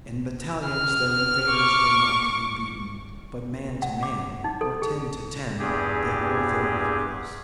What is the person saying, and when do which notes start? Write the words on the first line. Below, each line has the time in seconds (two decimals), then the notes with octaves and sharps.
In battalions their invaders were not to be beaten, but man to man, or ten to ten, they were their equals.
0.65 F6
1.49 C#6 D6
3.82 F#5
4.03 D6
4.44 D#4
4.61 A4
4.82 G#4
5.59 E2 G2 G4 G#4